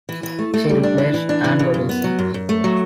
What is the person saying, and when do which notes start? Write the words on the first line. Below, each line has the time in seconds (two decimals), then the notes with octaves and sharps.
She replaced Anne Robinson.
0.09 E3
0.23 E3
0.39 A3
0.54 A3
0.69 G3
0.83 D4
0.98 E3
1.14 E3
1.29 D4
1.44 E3
1.59 C#3
1.74 F#2
1.89 B3
2.04 F#3
2.19 F#2
2.34 F#2
2.49 A3
2.64 F#3